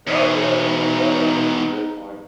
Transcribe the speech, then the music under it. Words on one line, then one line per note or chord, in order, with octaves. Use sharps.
Oh, yeah, you bring that up. Great point.
E2 B2 D#4